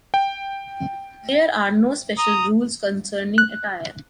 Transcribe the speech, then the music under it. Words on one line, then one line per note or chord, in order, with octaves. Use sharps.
There are no special rules concerning attire.
G5
A#5 D#6
F#6